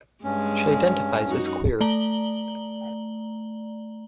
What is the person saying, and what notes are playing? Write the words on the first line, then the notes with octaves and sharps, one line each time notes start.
She identifies as queer.
G2 G#3 C#4
F#2 D#4 F#4
A3 D5 A#5 F#7 G7